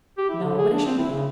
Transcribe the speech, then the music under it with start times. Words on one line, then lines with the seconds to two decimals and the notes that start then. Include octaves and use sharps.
"No--but I should be."
0.18 G4
0.29 E4
0.43 D3
0.58 G#4
0.72 D4
0.86 C4
0.98 E4
1.11 C#3